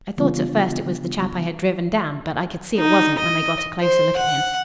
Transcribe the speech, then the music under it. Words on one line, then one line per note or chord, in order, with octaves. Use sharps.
I thought at first it was the chap I had driven down, but I could see it wasn't when I got a closer look at him.
C#3 E3 G3 B3 D4 F4
D#4
D#5
C5
F#5